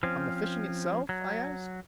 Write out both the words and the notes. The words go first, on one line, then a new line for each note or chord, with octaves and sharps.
"On the fishing itself?" I asked.
F3 C4 C#4
F#3